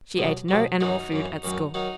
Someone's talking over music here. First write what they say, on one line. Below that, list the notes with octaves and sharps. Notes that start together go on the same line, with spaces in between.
She ate no animal food at school.
C2 B2 F#3
C2 B2 F#3
F#2 E3 D#4 F#4
F#2 E3
F#2 D#3 F#3
D#3 F#3 D#4 F#4